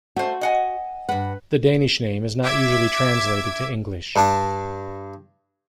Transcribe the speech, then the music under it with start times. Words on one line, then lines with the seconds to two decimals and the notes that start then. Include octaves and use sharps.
The Danish name is not usually translated to English.
0.16 A3 F#4 C5
0.41 D#5 F#5 G#5
1.09 G2 B4 F#5
2.44 E5 D6 G#6
4.16 G2 D4